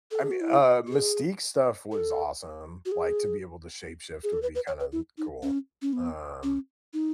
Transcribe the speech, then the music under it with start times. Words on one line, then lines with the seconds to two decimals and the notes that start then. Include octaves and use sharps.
I mean, uh, mystique stuff was awesome, like to be able to shape shift would be kinda cool, um,
0.11 A4
0.21 G#4
0.31 F#4
0.41 E4
0.87 F#4
0.91 G#4
1.91 A4
2.85 F#4
2.92 G#4
4.23 G#4
4.33 A4
4.42 B4
4.55 B4
4.67 C#5
4.80 B4
4.92 E4
5.18 D#4
5.42 C#4
5.82 C#4
5.93 B3
6.43 C#4
6.93 D#4